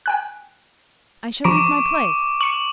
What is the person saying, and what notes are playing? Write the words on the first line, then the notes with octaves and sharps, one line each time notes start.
'I shall lose my place.
G5 G#5 F#6
F3 A#5 C#6 D6 B6 D7
C#6 C#7 D#7 F#7